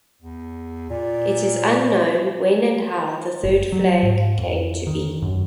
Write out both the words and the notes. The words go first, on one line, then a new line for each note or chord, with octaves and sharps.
It is unknown when and how the third flag came to be.
E2
A#2 D5
F#1
F#3
G#2
F2
D#3
F#2